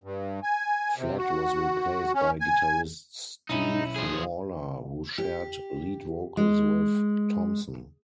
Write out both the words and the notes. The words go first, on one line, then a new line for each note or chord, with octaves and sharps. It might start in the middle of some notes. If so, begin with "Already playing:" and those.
Flett was replaced by guitarist Steve Waller, who shared lead vocals with Thompson.
G2
G#5
C3
F#4
C#4
G#5
B1 C#4 D#4 E4
F3 G#4
G4
G#3